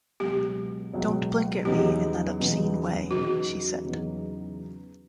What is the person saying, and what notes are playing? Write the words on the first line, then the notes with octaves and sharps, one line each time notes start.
"Don't blink at me in that obscene way," she said.
C#2 B2 F#3 G4
C#2 B2 F#3
E2 C#3 F#3 B3 D#4 G4
E2 C#3 F#3 B3 D#4
E2 C#3 F#3 B3 D#4 F#4
E2 C#3 F#3 B3 D#4